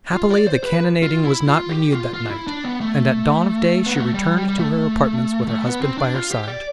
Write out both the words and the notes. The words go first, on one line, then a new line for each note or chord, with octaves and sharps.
Happily, the cannonading was not renewed that night, and at dawn of day she returned to her apartments, with her husband by her side.
F4
D5
C5
B4
F4
E4
F4
G4
F4
F4
E4
D4
B3
A3
B3
A3
G3
G3
G3
A3
A3
B3
C4
D4
F4
G4
D5